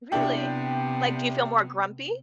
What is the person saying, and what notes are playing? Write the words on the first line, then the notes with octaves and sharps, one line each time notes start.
Really? Like, do you feel more grumpy?
C3 B3 D4 E4 G4